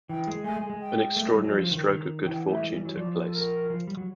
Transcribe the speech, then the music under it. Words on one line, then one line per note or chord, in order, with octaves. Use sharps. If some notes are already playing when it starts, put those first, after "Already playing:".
An extraordinary stroke of good fortune took place.
E3 G5
G#3
A3 G#5
G#3
G#3
G5
A3
G#3
G3
F#3
F3
D#3
D#3
E3 G5
F#5
A3 E5
G#3
G3
F#3
F3 D5
A4
A#4
F3
G3
F#3